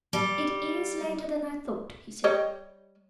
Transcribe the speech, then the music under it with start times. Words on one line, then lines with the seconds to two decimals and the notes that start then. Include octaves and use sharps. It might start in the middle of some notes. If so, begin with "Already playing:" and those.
"It is later than I thought," he said.
0.13 G3
2.24 G3 C#5 D#5